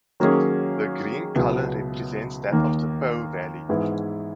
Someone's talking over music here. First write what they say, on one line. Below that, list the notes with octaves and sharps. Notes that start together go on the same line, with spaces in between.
The green color represents that of the Po Valley.
D#3 F#3 A#3 C#4 G#4
C#2 B2 F#3 B3 E4
D#2 D#3 A#3
G#2 E3 B3 E4 G#4